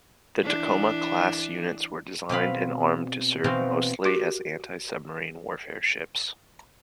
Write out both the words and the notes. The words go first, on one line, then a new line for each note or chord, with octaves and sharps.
The "Tacoma"-class units were designed and armed to serve mostly as anti-submarine warfare ships.
E3 D4
B2 C4 F5 B5
B2 E3 C4 D#4 F#4 F5
F#4 G4 A#4